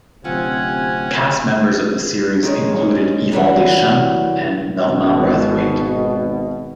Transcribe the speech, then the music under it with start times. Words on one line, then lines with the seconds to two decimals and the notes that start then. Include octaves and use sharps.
Cast members of the series included Yvon Deschamps and Normand Brathwaite.
0.24 D1 C3 C4 C#4 F4 F#5 G#5
2.43 D#3 G#3 C#4
3.32 F#2 E3 G3 F#4
4.86 G#1 B2